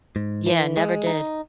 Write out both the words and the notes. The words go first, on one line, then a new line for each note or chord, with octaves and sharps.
Yeah, never did.
G#2
E3
G#3
D#4